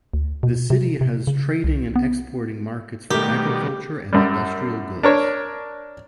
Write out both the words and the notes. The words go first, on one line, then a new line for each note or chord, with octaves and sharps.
The city has trading and exporting markets for agriculture and industrial goods.
D2
B2
C3
C3
C#3
C2
B3
B2 D#3 G3 A3 G4 A#4
F#2 G3
D4 A#4 C#5